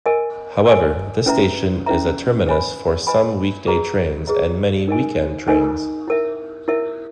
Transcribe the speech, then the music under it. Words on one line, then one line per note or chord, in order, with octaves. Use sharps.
However, this station is a terminus for some weekday trains and many weekend trains.
A#4 D#5 G#5
A#4 D#5 G#5
C#4 E4 B4 E5 A#5
C#4 E4 B4 E5 A#5
B4 D#5 G#5 B5
B4 D#5 G#5 B5
G#4 B4 D#5 A#5
G#4 B4 D#5 A#5
D#4 A#4 D#5 G#5
D#4 A#4 D#5 G#5
E4 A#4 E5
E4 A#4 E5